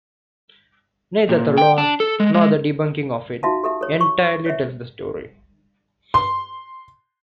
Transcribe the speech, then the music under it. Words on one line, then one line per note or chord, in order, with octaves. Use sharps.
Neither the lore, nor the debunking of it, entirely tells the story.
A#2
G5
D4
A4
G#3
G#3
D#4 F4 F#4 E5 F5 A5
G4 A4 E5
A4 C#5
C#6
C#5 E5
C6